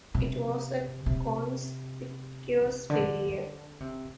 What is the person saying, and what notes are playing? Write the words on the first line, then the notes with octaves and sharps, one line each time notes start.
It was a conspicuous failure.
C3
C3
D3
C3